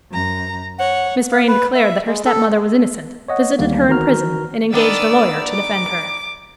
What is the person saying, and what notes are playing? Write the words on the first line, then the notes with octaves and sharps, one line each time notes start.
Miss Vrain declared that her stepmother was innocent, visited her in prison, and engaged a lawyer to defend her.
F#2 A#5
C#5 F#5
F5
B4
E5
G#3
A4
C#5 D#5 F#5
D2 D#3 G3 A#3
D#3 E3 F#4 A#5 F6
D#3 B3 D4 D5 E6
D6